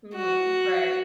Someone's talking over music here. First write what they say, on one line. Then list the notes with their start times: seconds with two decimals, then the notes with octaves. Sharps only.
Mhm, right.
0.15 F#4